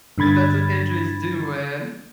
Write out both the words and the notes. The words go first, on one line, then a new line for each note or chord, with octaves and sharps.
But that's what injuries do, man.
G2 D3 B5 G#6 A6